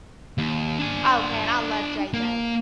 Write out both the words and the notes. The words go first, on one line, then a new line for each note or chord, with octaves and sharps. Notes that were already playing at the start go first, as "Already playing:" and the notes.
Oh, man, I love JJ.
D#2
D4 G#5
A#3